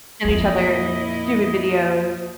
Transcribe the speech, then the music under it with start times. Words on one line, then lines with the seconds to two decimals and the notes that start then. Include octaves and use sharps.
and each other, stupid videos.
0.25 F2 A#2 F3 E4 D#5